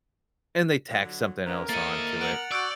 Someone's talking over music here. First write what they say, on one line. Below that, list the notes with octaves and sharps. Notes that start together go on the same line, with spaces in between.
and they tack something else onto it.
D3 F#3
A3 B3 C#4 A#4
A#3 C4 E4 A4 D#5 A6 C#7
F#5 D7 F7 F#7
F#4 D5 E6 G6 D7